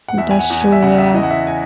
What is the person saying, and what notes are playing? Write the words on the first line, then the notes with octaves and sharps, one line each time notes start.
That's true, yeah.
F#5
E2 E5
G#5
F#5
E2
G#5
E5
C#3 F#5
E5
E3 D#5
F#5
E5
G#5